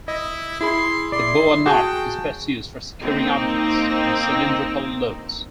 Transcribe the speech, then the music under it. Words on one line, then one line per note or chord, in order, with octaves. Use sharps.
The boa knot is best used for securing objects in cylindrical loads.
E4 D#5
E4 G#4 B5 C6
D5 C6
F#4 G#4 G5 A5
A#3 C4 D#4